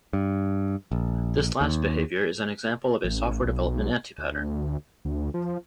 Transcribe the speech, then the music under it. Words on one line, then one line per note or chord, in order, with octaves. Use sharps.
This last behavior is an example of a software development anti-pattern.
G2
A#1
D#2
A1
B1
D2
D2
F3